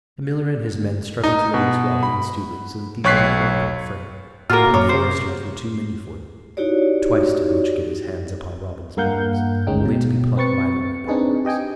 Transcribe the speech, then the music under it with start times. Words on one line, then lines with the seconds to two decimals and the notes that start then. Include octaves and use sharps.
The miller and his men struggled to release Robin and Stuteley so that these might help in the fray; but the foresters were too many for them. Twice did Much get his hands upon Robin's bonds, only to be plucked violently backward.
1.24 D#4
1.54 B2
2.03 B5
3.04 B1 C#5 C#6 F#6 B6 C7
4.50 A2 A#3 F4 F#4 A#4 F6
4.74 F#2 C#5 D6
4.89 F#2 C5
6.57 D#4 E4 F#4 G4 C#5 D5
8.97 G2 A#3 A#4 F5 F#5 G6
9.67 G#1 D2 G#3 C#4 D#4 G5
9.85 B2
10.37 C4 B4 C#6 A6 C#7
11.07 C4 D4 D#4 G#4 B4
11.45 G4 D#5 G5 G#5